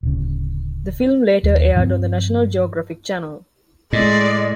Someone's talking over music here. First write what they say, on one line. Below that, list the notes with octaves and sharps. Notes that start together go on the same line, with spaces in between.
The film later aired on the National Geographic Channel.
D1 C#3
D#2
G2 F3 C4
A2 G#3 D5 D#5